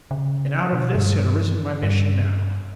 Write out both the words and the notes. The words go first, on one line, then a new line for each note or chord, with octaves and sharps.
And out of this had arisen my mission now.
C#3
B2
G2
G2